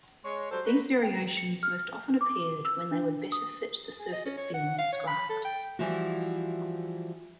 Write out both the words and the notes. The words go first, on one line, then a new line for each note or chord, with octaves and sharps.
These variations most often appeared when they would better fit the surface being inscribed.
G#3 C#5
F#3 G3 A4 C5
D#4 F#4 B4
G5
C#7
F6
D6
E6
D4
D#6
G#4
D#5
C#4
C#5
F#5
F5
C#5
B5
A4
G5
E3 F3 G3 E4 F#4